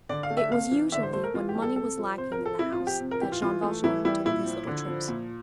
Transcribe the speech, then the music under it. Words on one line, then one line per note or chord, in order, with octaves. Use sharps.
It was usually when money was lacking in the house that Jean Valjean took these little trips.
D3 D5
F5
A3
E5
C3 F5
E3
D3 E5
C5
A3 C5
A#4
E3 F4
G4
G3
A4
C3 A4
F3
C3 C5
A#4
F3
A4
C3 E4
F4
F3
G4
C3
A#4
E3 G4
F4
E3 F4
A3
E3 E4
G3 E4
A#2 E4
F3
D3
F3
A#2